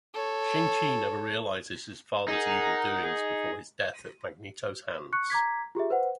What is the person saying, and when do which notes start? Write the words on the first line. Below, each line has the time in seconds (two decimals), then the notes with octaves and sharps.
Shang-Chi never realizes his father's evil doings before his death at Magneto's hands.
0.14 A4 C#5
2.28 D#4 G#4 A#4 F#5
3.04 G#4
5.13 C#6 F#6 C#7
5.30 A#5 D6 G#6 B6
5.75 F4 G4 G#4 E5
5.90 B4 C5 F#5